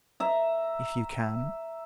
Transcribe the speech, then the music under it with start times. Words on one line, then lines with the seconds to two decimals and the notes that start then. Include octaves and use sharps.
"If you can."
0.20 E5 A#5